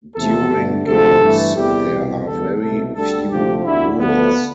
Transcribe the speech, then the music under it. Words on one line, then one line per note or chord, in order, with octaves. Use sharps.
During games, there are very few rules.
E2 C3 F3 A3 A4
G2 D3 A3
D2 C3 F3 A4
G2 E3 A3
E2 C3 E3 G3 G4
C2 B2 G3
E2 D3 G3 A4
C2 B2 A3 A4
D2 D3 G3 A4
D2 C3 F3 A3 G4
D2 D3 A3 E4
D2 D3 F3 A3 B3